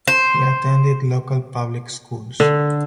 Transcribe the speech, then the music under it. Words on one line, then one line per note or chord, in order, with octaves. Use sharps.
He attended local public schools.
C5
D3